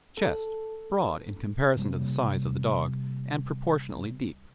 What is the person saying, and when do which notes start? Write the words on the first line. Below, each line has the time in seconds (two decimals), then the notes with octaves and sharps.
CHEST--Broad in comparison to the size of the dog, and proportionately deep.
0.17 A4
1.77 C3 G3 A#3